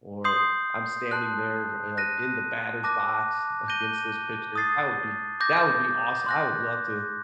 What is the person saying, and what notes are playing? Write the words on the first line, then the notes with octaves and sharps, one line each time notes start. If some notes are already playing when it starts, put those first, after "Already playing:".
or I'm standing there, uh, in the batter's box against this pitcher that would be that would be aweso I would love to
C6 D#6 G6 C7
A5 C6 F#6
F#6 A#6 D#7
A5 D6 F#6 A#6
G6 A#6 D#7 G7
D#6 A6 C7
D6 G6 A#6
C6 F#6 A#6